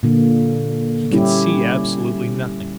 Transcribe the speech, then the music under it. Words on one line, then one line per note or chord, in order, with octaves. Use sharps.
He could see absolutely nothing.
A#2 D3 A#3
G3 C#4 E4 G4